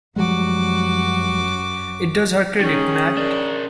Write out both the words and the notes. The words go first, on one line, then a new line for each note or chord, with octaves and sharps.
It does her credit, Mat!
F#2 F3 G3 G#3 F#4 D6
D#3 C#4 G#4
D4 A#4